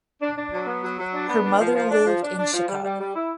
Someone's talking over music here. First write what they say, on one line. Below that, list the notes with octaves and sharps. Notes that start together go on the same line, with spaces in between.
Her mother lived in Chicago.
D4
D4
F#3
B3
F#3
F#3
D4
B3
D4
F3
F3
D4
F3
D4
D4
F3
G3
G3
G3
E4